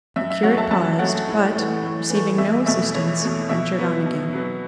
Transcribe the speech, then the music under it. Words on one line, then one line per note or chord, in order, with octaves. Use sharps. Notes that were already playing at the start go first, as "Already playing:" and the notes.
The curate paused, but, receiving no assistance, ventured on again.
F#2 E5
E5
F#3 A3 C#5 F#5
E5 A5
F#2 E5 A5
F#3 A3 C#5 F#5
A2
E3 A3
A2
E3 A3
E2 E5
B2 A3 E5
E2 C#5
B2 A3
B2 E5
F#3 B3
B2
F#3 B3